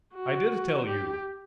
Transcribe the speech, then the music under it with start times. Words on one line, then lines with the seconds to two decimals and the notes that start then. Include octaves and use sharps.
I did tell you.
0.14 F#4
0.85 G4